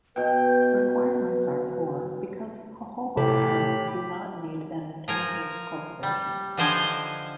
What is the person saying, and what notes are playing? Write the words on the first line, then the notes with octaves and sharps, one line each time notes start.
Requirements are poor because jojoba plants do not need an intensive cultivation.
B2 B4 G5
A2 C3 G4 A4 B5
F3 A#4 G#5
G3
D3 F3 D#4 C5 G5 G#5